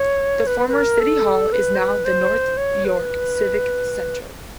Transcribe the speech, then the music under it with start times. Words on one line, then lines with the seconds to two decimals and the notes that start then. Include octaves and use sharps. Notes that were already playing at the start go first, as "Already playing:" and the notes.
The former city hall is now the North York Civic Centre.
Already playing: C#5
0.47 B4
0.69 B4
0.73 A#4
1.00 A4
1.53 B4
1.75 C5
1.79 B4
2.05 C5
2.57 C#5
2.85 B4